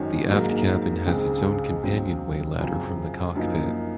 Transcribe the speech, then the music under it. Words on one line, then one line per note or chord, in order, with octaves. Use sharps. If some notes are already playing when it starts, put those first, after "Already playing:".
The aft cabin has its own companionway ladder from the cockpit.
Already playing: G#1 F#2 D#3 F#3 C#4
G#2 F#3 A#3
C#2 C#3 G#3 C4
C#2 C#3 F#3 C4
F#2 C#3 F3 C4
F#2 F3 A#3 D#4